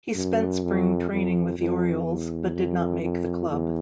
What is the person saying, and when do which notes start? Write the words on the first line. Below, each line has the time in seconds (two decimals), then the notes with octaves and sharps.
He spent Spring training with the Orioles, but did not make the club.
0.15 F#2
0.63 F2
1.11 F2
1.59 F2
2.06 E2
2.54 F2
3.01 F2
3.50 E2